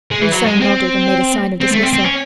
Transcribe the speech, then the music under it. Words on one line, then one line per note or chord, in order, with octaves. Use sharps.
Monceux nodded, and made a sign of dismissal.
G#3
E3
F#3
G#3
C4
C4
A3
C4
C4
C#4